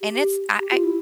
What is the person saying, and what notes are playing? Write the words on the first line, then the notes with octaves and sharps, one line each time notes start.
And it's I I
G4
G4
F4
E4